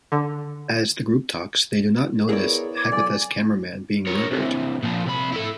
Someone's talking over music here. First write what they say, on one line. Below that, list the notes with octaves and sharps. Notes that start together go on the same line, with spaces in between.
As the group talks, they do not notice Hagitha's cameraman being murdered.
D3
B3 E4 G#4 A#4 C#5 D5
D6 G#6
B1 D5 G#5
A#4 C#5
C3 E3
A#2 F3
C3 B5
E4 A4